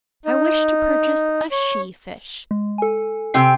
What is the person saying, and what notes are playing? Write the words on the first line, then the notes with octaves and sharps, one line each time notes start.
"I wish to purchase a she-fish."
D#4
C#5
G#3
A4 G#5
C3 C4 G5 G#5 E6 C7